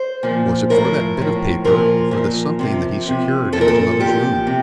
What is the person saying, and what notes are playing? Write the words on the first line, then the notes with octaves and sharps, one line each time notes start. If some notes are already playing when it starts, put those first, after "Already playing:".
"Was it for that bit of paper or for the something that he secured in his mother's room?"
Already playing: C5
A#2 F3
A2 F3 A#4
A2 F3
A#2 F3 A#4
A#2 F3
C3 F3
C3 F3
A#2 F3 A4 A#4
A4
A#2 F3 G4
C3